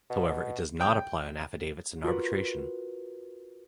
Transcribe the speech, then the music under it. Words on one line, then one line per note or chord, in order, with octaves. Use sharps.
However, it does not apply on affidavits and arbitration.
B2
G5
F4 F#4 A#4 B4